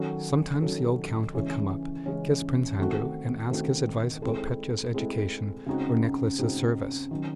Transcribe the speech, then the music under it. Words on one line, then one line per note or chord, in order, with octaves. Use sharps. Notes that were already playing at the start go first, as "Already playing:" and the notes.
Sometimes the old count would come up, kiss Prince Andrew, and ask his advice about Petya's education or Nicholas' service.
Already playing: D#3 F#3 C#4 F#4 A4
D#3 F#3 C#4 F#4 A4
C#3 E3 G#3 C#4
C#3 E3 G#3 C#4
D#3 A3 C4 F#4
D#3 A3 C4 F#4
G#3 C4 E4 A4
G#3 C4 E4 A4
C#3 G#3 C4 D#4 F#4
C#3 G#3 C4 D#4 F#4
D#3 F#3 C#4